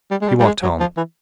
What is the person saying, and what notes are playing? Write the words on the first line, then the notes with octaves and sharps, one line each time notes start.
She walked home.
G3
G#3
G3
G3
G#3
F#3
F3
E3